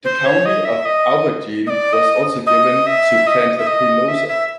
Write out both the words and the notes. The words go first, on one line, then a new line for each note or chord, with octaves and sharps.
The County of Auvergne was also given to Plantapilosa.
C5
C#5
D#5
E5
D#5
D#5
D5
D#5
D#5
E5
D#5
E5
D#5
E5
E5